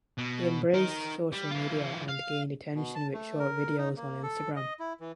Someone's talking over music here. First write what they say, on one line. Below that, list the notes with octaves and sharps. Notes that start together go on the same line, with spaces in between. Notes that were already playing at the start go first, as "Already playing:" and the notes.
He embraced social media and gained attention with short videos on Instagram.
B2
D#4 A#4
G3
E3 F4
F5
B2
A5
A3
A#4
D#4
A#3
A4
D#5
E4
E3